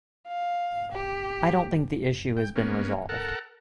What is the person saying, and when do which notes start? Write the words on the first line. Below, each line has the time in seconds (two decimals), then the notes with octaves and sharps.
I don't think the issue has been resolved.
0.28 F5
0.92 G4
2.37 G5
2.56 A#3 B3 C#4
3.09 A4 A#4 F#5